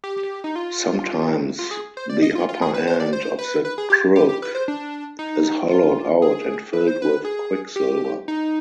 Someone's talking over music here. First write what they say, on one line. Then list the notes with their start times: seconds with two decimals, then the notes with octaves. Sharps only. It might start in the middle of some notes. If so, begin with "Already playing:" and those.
Sometimes the upper end of the crook is hollowed out and filled with quicksilver.
0.04 G4
0.44 D#4
0.56 F4
1.59 F4
1.71 G#4
1.97 C5
2.09 D5
2.22 D#5
2.35 F4
2.49 F4
2.62 G#4
2.74 B4
2.87 C5
3.00 D5
3.13 C5
3.39 B4
3.65 B4
3.78 G#4
3.90 G4
4.16 G4
4.29 G4
4.42 B4
4.55 C5
4.68 D4
5.19 D#4
5.71 F4
6.22 G#4
6.73 B4
6.87 C5
7.02 B4
7.25 G#4
7.76 G4
8.28 D#4